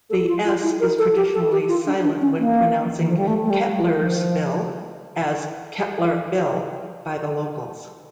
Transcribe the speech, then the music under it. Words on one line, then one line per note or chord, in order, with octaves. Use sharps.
The "s" is traditionally silent when pronouncing Kettlersville as "Kettler-ville" by the locals.
A4
F4
F4
E4
A#4
A4
G4
A4
G4
F4
D4
D4
C#4
A#3
E3
F3
G3
A3
A3
G3
G3
F3